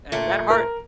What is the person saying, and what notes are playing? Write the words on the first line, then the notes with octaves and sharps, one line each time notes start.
And that hard
A#2 A3
A#4